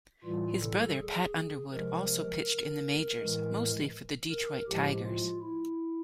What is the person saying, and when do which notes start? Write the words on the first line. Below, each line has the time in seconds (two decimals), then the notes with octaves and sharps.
His brother Pat Underwood also pitched in the majors, mostly for the Detroit Tigers.
0.24 A2 E3 G3 F4
0.61 A4
0.98 G#4
1.72 C3 F3 G#3 A#4
3.20 A2 E3 G#3
4.31 A#4
4.68 A2 F3 G#3 G4
5.05 F4
5.42 E4